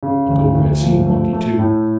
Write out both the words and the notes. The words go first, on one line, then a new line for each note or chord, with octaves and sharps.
Otobu had seen the monkey too.
C#3
D2
D2
F3
A3
A3
A2